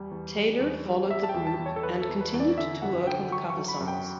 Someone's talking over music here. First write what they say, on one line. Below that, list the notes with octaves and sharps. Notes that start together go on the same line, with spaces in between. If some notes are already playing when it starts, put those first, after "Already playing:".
Taylor followed the group, and continued to work on the cover songs.
Already playing: E2 G3
E2
G3
E2
G3
G3 E5
A5
E2 G5
A5
E2
C#5
A4
E2 B4
A4
E2
B4
E2
D5
D3 E5
F#2 F#5
D3 G5
F#3 C#6
C#6
F#3
B5
F#2
G5